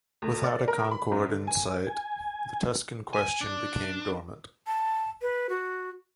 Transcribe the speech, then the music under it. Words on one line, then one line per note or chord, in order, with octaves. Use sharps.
Without a concord in sight, the "Tuscan question" became dormant.
D2
D5
A#4
B5
F#2
D3
G#5
G#5
G#5
D4
A5
B4
F#4